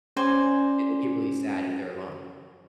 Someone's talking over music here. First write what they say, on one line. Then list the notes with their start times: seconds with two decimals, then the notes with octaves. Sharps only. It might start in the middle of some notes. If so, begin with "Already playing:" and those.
Yeah, they get really sad if they're alone,
0.17 C#4 C5 D5 G#5